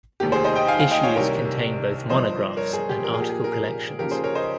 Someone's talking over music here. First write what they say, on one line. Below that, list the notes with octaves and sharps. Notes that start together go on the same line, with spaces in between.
Issues contain both monographs and article collections.
F1 D#2 D#3 G4
G#4 C5
C5 D#5
D#5 G5
F5 G#5
F5 G#5
D#5 G5
C#5 F5
C2 C3 D#3 A#4 C#5
G1 G2 F3 C5 D#5
A#4 C#5
G#4
G4
A#1 A#2 F3 A#4
G#4
G4
G#4
A#4
G#4
D#2 C#3 F3 G4 A#4
G#4 C5
A#4 C#5
C5 D#5